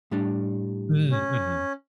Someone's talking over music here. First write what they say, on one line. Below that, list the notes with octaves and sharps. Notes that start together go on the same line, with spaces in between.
Mm, mhm.
A2 G3 D4
C#4